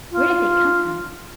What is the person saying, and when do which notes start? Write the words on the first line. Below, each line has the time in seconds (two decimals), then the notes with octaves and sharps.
Where did they come from?
0.12 F4